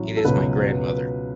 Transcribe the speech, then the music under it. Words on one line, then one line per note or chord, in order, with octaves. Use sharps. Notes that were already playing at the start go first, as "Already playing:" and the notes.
It is my grandmother.
Already playing: A1 A2 F#3
A4
C#2 B2 F#3 B4